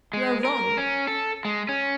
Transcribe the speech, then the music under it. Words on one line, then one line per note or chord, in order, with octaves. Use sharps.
You are wrong!
G#3
A#4
C#4
A4
G#3
C#4